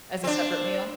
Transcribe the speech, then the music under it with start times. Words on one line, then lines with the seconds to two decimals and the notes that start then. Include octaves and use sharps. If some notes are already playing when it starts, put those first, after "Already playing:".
As a separate meal?
0.24 C4 D4